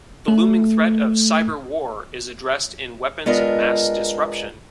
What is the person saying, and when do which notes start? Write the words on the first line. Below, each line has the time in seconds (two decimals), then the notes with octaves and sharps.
The looming threat of Cyber War is addressed in Weapons of Mass Disruption.
0.28 A3 A4
3.26 G#3 B3 D4 F4 A#4 D#5